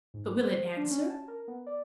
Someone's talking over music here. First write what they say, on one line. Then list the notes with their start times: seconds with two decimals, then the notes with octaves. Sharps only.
But will it answer?
0.14 G#2
0.45 C5
0.77 D4
0.91 C#4
1.10 A5
1.28 A#4
1.48 B3
1.67 D5